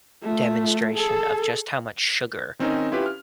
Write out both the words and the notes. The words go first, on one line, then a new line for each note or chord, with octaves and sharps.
demonstration of just how much sugar
A3 F4
G#4 A4
D#3 C4 C#4 D#4 A#4
C#4 E4 F4 G4 B4
F6